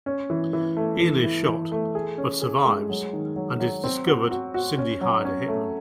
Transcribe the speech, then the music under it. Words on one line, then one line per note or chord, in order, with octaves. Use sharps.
Ian is shot, but survives and is discovered Cindy hired a hitman.
C#4
E3
E3
A3
E3
E3
E3
A3
G#4
C#4
G#4
G#3
F#3
D#3
F#3
F#3
C4
F#4
F#4
F#4
C#4
F#3
C#4
A3